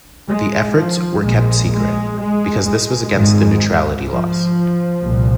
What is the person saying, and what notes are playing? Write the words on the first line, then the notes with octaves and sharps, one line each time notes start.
The efforts were kept secret, because this was against the neutrality laws.
G#3
F3
A#1 A#2 G#3
G#3
G#3
G#3
G#1 G#2
F3
C2 A#2